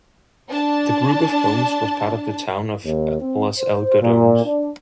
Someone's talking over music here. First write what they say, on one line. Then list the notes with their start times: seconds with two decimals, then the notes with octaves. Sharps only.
The group of homes was part of the town of Los Algodones.
0.50 D4 A5
2.85 D#2
3.21 C4
3.59 C5
4.01 A#2
4.44 D4